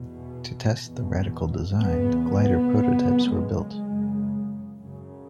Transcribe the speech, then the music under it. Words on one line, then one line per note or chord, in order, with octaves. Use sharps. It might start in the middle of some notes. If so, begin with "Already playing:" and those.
To test the radical design, glider prototypes were built.
Already playing: E2 B2
E2 B2
E2 C#3 B3
B3
F#2 C#3
G#3
F#2 C#3
F#2 C#3